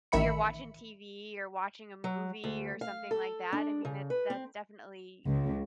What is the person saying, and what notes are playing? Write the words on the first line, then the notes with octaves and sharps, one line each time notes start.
you're watching TV, or watching a movie, or something like that, I mean, it that's definitely
A1 D#3 E5 B5 C#7
F#3
D2
F5
A4
D4
C#3
B4
C4
C#2